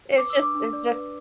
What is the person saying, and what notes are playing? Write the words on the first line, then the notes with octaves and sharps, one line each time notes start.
it's just it's just
B4 D6
E6
D4
D6
D4
D5
B4